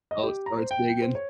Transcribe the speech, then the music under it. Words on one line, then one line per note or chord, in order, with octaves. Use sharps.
Oh, starts digging.
D#5
G4
A#5
C5
G5
G5
C5
C#5